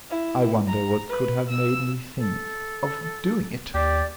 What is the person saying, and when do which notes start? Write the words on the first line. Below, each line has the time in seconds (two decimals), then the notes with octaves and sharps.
I wonder what could have made me think of doing it!
0.10 E4
0.68 A#5
1.09 B4
1.50 E6
2.17 A4
3.74 D#2 G4 D5